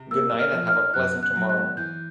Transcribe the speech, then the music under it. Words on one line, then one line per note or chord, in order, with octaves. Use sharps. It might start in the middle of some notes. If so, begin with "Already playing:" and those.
Goodnight and have a pleasant tomorrow.
Already playing: C3
A#3 E6
A#3
F6
F3
F6
D#4
F#2 F#6
B3
F#6
F#3
F#6
B3
E3 G6